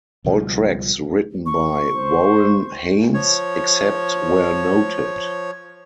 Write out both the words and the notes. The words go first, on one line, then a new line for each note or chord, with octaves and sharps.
All tracks written by Warren Haynes, except where noted.
C#2 B2 F3 G3
C#6
C5
F3 C#5